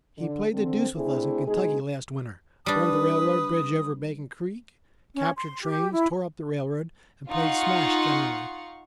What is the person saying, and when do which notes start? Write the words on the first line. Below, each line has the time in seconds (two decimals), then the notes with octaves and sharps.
He played the deuce with us in Kentucky last winter: burned the railroad bridge over Bacon Creek, captured trains, tore up the railroad, and played smash generally.
0.19 D3
0.54 D3 C4
0.96 A3 C4 D4 E4 G#4
1.46 B2 G#3 D#4 G#4
2.66 G3 D4 B4 D#6
5.15 C#4
5.37 C6
5.61 G4
5.92 E4
7.31 D#4 F4 F5 F#5 C#6